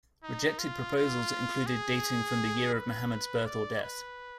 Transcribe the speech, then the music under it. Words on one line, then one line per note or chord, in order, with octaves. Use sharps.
Rejected proposals included dating from the year of Muhammad's birth or death.
D#4
F4
F4
G#4
B4
D5
B4